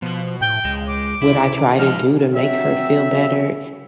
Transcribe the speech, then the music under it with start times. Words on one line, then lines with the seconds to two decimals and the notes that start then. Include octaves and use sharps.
what I try to do to make her feel better,
0.02 B2 F3 B3
0.41 A2 G5
0.65 C#2 G#3
0.87 D6
1.22 C3 E4
1.79 F3 G#3 D#4 F6
2.33 F#3 C4 E5